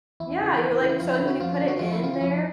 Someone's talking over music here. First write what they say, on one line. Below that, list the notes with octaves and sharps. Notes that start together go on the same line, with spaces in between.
Yeah, you like, so, like, when you put it in there,
E2 E4
C#3 E3
E2
C#3 E3
E4
F2 F4
E4
D3
F#4
F2 F4
F4
D3
F#4
F2 F4
E4
C#3 E3 F4
F4
F2 E4